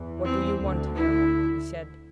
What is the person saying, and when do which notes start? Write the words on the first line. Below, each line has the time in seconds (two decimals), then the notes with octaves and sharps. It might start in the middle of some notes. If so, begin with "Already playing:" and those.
"What do you want here?" he said.
Already playing: E2 E3
0.25 C4
0.60 D2 D3
0.96 E4